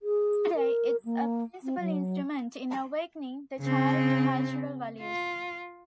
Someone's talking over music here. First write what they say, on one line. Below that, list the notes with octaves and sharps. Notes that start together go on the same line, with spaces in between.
Today it is a principal instrument in awakening the child to cultural values.
G#4
A#4
A#3
C4
F#3
C#3 C4
F4